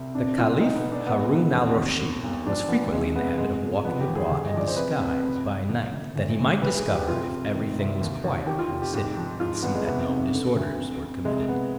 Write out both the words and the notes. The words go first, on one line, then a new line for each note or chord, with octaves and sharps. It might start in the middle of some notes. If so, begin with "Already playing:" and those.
The caliph Haroon al Rusheed was frequently in the habit of walking abroad in disguise by night, that he might discover if every thing was quiet in the city, and see that no disorders were committed.
Already playing: C2
F2 D4
F1 F4
B1 D#4
B3
B2
D4
B2 B3
G#3
B2
B3
D#2 C4
D#2
B2
B1
F3 D4
F3 B3
C3 G#3
C3 B3
B2 G#3
B2
F3 B3
G4
D#2
G#4
D2
D#5
F3 D5
C5
C3 B4
F2
F1
F1
G1
G1
D2
D2
D2 B4
G#4
F3
G4
C2 F4
C2
D#3
C2
D#2
D#2
D#3 G4
F4
F1
G4
G#2 G4
F3
G#2 F4
G#1 B3
G#3
C2 B3
C3
D3
D2
F2
F2
C2 G#3
C2 B3